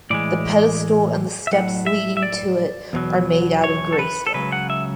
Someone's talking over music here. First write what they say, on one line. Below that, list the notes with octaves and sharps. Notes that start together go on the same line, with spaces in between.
The pedestal and the steps leading to it are made out of grey stone.
A2 E3 G#3 D5
E5
A2 F#3 F#5
E5
E5
D5
E2 B2 F#3
C#5
A4
B4
A4
C#2 C#3 F#3 B4
F#5
E5